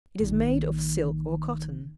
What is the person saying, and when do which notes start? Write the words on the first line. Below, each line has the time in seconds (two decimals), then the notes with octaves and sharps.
It is made of silk or cotton.
0.20 A#1 D#3